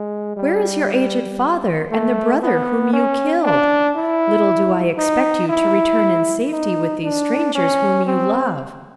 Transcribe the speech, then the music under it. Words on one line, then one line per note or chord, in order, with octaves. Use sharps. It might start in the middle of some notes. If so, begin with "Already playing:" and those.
Where is your aged father, and the brother whom you killed? Little do I expect you to return in safety with these strangers whom you love.
Already playing: G#3
G3
A3
B3
C#4
D4
E4
D#4
E4
D#4
D4
C#4
C4